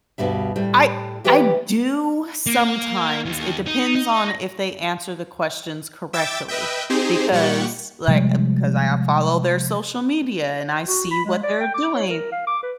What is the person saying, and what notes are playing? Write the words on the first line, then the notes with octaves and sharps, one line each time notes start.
I I do sometimes, it depends on if they answer the questions correctly, because, like, I've 'cause I I follow their social media and I see what they're doing.
D2 G2 B2 G3 E5
A2 G3
E3 G4 B4 E5 G5
A#3
D#2
D#4
D#4
E5 G5 D6 E6 A6
B4 D#5 E5 G5
C4 D#4 G4 G#4 C5
A#2 G3 G4 F#5 C#6
C3 F3 G3 G#3
F#4
B5
G#3
D5
G5
D6
C#5
A#4
F5
D6
B4